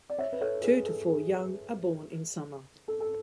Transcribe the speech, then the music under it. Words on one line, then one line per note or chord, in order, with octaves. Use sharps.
Two to four young are born in summer.
D5
C#5 E5
B4
A4 C#5
G#4 B4
A4
G#4
A4
A4